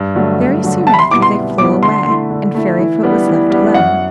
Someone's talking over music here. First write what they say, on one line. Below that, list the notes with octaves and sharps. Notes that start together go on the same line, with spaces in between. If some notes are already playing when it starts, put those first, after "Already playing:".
Very soon after they flew away, and Fairyfoot was left alone.
Already playing: G2
D3 F#3 A3
G2
D3 F#3 A3
C2 A5
B5
C6
B2 G3 B3 E4 D6
C6
C2
B2 G3 B3 E4 D6
D3 C6
A3 E4
D3
A3 E4
E3
G3 B3 D4
E3
G3 B3 D4
F#2 F#5